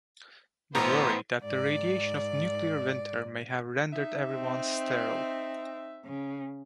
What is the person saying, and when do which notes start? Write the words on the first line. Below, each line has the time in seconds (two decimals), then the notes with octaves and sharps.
They worry that the radiation of the nuclear winter may have rendered everyone sterile.
0.75 A1 A2 B3 C5 A#5
1.42 G#2 D5
3.93 D#4 E5
4.33 C4
6.04 C#3